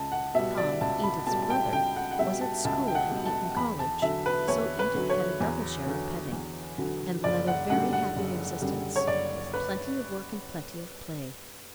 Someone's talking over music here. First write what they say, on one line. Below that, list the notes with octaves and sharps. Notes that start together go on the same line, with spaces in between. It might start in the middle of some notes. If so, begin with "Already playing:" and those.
Tom, Edith's brother, was at school at Eton College, so Edith had a double share of petting, and led a very happy existence with plenty of work and plenty of play.
Already playing: C#2 A5
F#5
B2 G3 E5
D5
C#2 A5
B5
B2 G3 A5
A5
G5
C#2 G5
F#5
F#5
B2 G3 E5
A5
C#2 A5
G5
F#5
B2 G3
A5
E2 B5
A5
D3 F#3 E5
B4
E2 C#5
B4
D3 F#3
C#5
E2
D3 F#3
E2
D3 F#3
F#1 D5
F#5
F#2 D3 G3 F#5
F#5
F#1
F#2 D3 G3
C#5
F#1 D5
B4